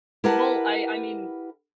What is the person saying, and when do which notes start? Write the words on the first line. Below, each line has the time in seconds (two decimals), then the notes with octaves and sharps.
Well, I I mean
0.24 E4 G4 A#4 B4 F#5 A5